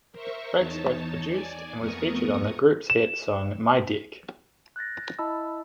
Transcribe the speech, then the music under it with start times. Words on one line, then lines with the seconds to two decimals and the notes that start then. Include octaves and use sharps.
Rex both produced and was featured on the group's hit song My Dick.
0.12 A#4 C5 E5 C#6
0.57 E2 D#4 C#5 A5
1.27 D5 G#5
1.78 F2 A3 B3 A#4 C#6 D#6
2.90 E7
4.76 F#6 G6 A6 A#6
5.19 E4 D#5 A5 B5 E6